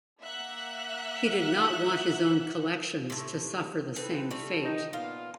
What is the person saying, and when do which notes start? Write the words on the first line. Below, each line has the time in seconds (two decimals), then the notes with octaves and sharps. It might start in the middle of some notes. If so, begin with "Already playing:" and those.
He did not want his own collections to suffer the same fate.
0.21 A#3 E5 F#5 F#6
3.10 A2 C3
3.96 C4 A4 B4
4.31 G3 A3 C4
4.64 D#3 E3 D#4
4.93 A#2 B3 F4 F5